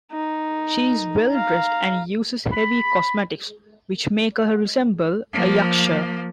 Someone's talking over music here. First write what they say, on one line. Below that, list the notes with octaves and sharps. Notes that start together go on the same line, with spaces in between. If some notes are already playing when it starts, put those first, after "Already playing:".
She is well dressed and uses heavy cosmetics, which make her resemble a yaksha.
D#4
F5 A#5
B5
F3 A#3